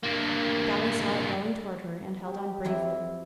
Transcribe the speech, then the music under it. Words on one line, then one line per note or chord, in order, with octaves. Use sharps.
Dolly saw it rowing toward her, and held on bravely.
G2 A#3
G4
F2 F#3 E4